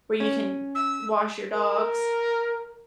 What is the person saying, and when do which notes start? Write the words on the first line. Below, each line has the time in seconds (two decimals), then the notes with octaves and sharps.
where you can wash your dogs
0.20 C#4
0.75 E6
1.52 A#4